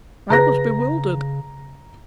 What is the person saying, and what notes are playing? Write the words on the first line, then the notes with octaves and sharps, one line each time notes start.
I was bewildered.
C#3 G#4 B4 A#5 F#6 A#6